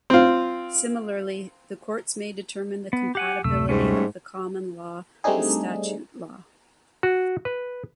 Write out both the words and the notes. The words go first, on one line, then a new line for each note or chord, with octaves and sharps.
Similarly, the courts may determine the compatibility of the common law with statute law.
C4 F4
B3
G4 F#5 G#5
D1 F#2 C3 A3 E6
G#2 G3 A3 C#4
G3 A3 C4 D4 D#4 G#4
F#4
B4